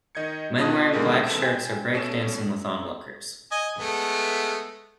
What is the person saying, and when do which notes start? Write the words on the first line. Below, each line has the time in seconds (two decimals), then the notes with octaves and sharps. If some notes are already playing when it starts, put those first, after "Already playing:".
Men wearing black shirts are breakdancing with onlookers.
0.15 D#3 D#5 G6 G#6 C#7
0.58 B2 F4 D#5 A5 D#6 F#6
0.93 B2 D3 D#3 G#3 A#3
1.27 E2 C4 A4 B4 E7
1.43 G5 G#5
1.94 B2 A3 C#4 E7
3.51 D#5 G#5
3.79 G#3 A3 B3